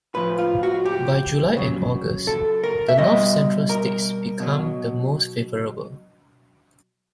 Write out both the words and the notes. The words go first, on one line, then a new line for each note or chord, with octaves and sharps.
By July and August, the north-central states become the most favorable.
A2 F3 B4
F4
F#4
G4
C#3 F#3
A4
A#4
E5
B2 G3 D#5
A#4
B2 F#3